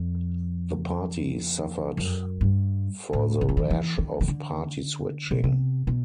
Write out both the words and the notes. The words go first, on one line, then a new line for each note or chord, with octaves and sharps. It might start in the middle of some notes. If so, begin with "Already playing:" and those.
The party suffered for the rash of party-switching.
Already playing: F2
F#2
G2
A2
D#3
E3
D#3
E3
D#3
D#3
D3
B2
C3
B2